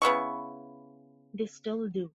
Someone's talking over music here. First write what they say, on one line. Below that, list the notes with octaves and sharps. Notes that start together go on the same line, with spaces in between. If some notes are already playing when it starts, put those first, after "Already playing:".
They still do.
C#3 B3 E4 C#6